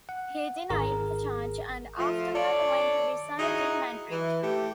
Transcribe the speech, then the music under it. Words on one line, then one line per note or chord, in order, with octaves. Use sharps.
He denied the charge and afterward went to reside in Madrid.
F#5
G#1 G#4 A#4 A#5
F3 A3 F4
A4 C#5 D5
D#4 E4 F#4 G#4 D#5
E3
A3 E4 G4